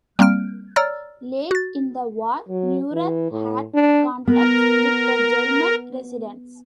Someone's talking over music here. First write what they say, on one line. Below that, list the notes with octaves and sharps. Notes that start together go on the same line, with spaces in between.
Late in the war, Neurath had contacts with the German resistance.
G3 A#3 C4 F6 D7
C#5 D5 A#5 E6 F6 A6
F#4 A6
F#3
E3
A2
D4
B3 A#4